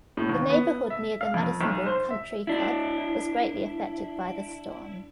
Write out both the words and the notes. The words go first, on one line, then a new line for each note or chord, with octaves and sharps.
The neighborhood near the Madisonville Country Club was greatly affected by the storm.
A2
D#2
B3
E5
F5
F2
B1
C5
E5
D4 E4